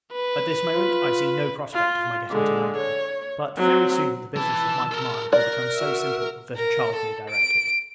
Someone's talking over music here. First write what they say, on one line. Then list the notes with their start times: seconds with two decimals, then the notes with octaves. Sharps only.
At this moment, I see no prospect of my getting to London; but, very soon, the business of my command will become so simple, that a child may direct it.
0.13 B4
0.73 F4
1.74 F4
2.30 D3 G#3
2.77 C#5
3.57 F#3 C4
4.36 E3 A5 E6
4.92 A4 A#4
5.33 A#4 D5 F#6 A#6
5.75 F#4 E5
6.56 A#4
6.96 A4
7.30 D7